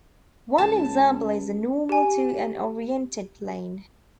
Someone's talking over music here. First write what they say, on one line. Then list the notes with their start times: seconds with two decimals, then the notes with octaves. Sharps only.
One example is the normal to an oriented plane.
0.58 C#2 A5
1.89 G4 G#5